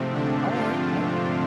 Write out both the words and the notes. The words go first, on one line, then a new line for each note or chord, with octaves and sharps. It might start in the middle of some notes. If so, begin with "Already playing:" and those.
Alright, alright.
Already playing: G#2 C3 F3 A3 C4
D3 D4
F3 F4